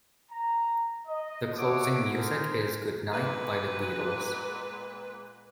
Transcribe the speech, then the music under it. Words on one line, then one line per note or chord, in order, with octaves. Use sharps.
The closing music is "Good Night" by The Beatles.
A#5
D#5
C#5 E5 F#5 D6
G#4 A#4 C5
A#2 G#3 B3 B4